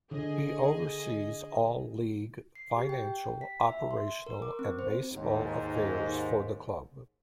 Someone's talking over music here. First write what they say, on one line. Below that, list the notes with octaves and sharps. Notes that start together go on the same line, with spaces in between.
He oversees all league, financial, operational and baseball affairs for the club.
D3 G#4 D#5 G#5
C7
G4
G5
B6
E5
C6
A#4
D6
C4
C5
D#2 G#2